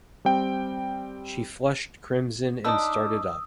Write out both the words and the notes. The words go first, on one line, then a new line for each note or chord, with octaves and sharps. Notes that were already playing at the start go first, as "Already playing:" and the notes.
She flushed crimson and started up.
G3 C4 G5
D4 D#4 B4 D#6 E6